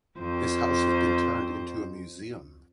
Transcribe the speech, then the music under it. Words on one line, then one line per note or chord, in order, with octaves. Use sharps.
His house has been turned into a museum.
F2 C5